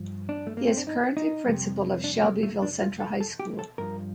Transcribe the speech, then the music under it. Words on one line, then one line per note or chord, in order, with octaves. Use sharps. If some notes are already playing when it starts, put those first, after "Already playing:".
He is currently Principal of Shelbyville Central High School.
Already playing: G2 F3
D4
A3
A#3
C4
D4
D#4
D#4
F2 C3 G3
D4
A#3
A3
D4
F4
A4
A4
G4
A4
G2 F3 A#4